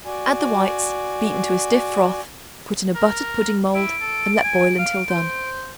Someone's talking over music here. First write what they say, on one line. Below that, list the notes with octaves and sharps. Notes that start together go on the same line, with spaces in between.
Add the whites, beaten to a stiff froth; put in a buttered pudding-mold, and let boil until done.
F#4 D5 G#5
A#4
E4 D7
A4
G#5
F5
C5